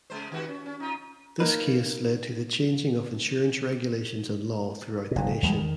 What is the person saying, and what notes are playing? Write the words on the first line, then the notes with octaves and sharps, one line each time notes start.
This case led to the changing of insurance regulations and law throughout the nation.
C#3 G#3 C5
D#3 F#4 G4
C#4
C#4
D#4 F4
A#3 D#4 B4
F#1 B2
E2 G3 G#3
D#3